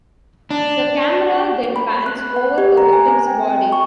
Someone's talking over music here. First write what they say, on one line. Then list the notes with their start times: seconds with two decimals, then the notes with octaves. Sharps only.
The camera then pans over the victim's body.
0.51 D4
1.76 B5
2.06 F#6
2.36 F#5
2.58 G4
2.78 A#5
2.93 G#5
3.08 C4
3.27 G5
3.50 G5
3.73 C#6